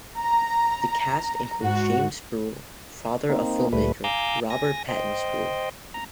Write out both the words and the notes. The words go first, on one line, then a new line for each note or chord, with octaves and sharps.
The cast included James Spruill, father of filmmaker Robert Patton-Spruill.
A#5
G#2 F#4
A#3 C4 D#4
D2 A#2 G3 A3 B4
F5 G#5 A#5 D6 E6 G6
G#5 A#6
C5 D#5 G5
A#5